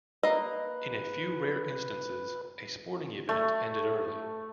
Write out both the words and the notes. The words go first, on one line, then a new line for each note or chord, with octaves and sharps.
In a few rare instances a sporting event ended early.
A#3 B4 D#5
A3